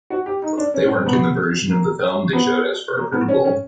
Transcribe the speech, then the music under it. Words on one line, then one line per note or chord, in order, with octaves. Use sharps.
They weren't in the version of the film they showed us for approval.
F#4
G4
D#4
D4
C#4
C#4
C4
B3
A#3
B3
A#3
B3
C#4
C#4